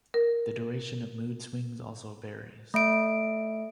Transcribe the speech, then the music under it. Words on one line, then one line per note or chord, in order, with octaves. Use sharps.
The duration of mood swings also varies.
A#4
A3 E5 D7